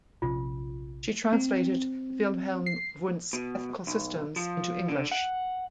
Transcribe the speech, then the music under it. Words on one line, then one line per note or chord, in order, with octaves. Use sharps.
She translated Wilhelm Wundt's "Ethical Systems" into English.
A#1 C3 C#4 F4
C4
C7
B2
B1
F3
D3
F#5